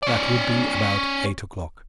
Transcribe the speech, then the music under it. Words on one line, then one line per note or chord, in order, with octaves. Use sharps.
That would be about eight o'clock.
C#4 D5